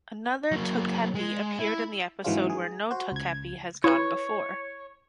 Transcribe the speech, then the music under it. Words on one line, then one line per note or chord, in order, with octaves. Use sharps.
Another Togepi appeared in the episode "Where No Togepi Has Gone Before".
F#3 A#3
G#3
E4
G#2 E3 F#3 G#3 C#4 F4
G#4
F#4 C5
C#2 G#6
E4 B4 C#5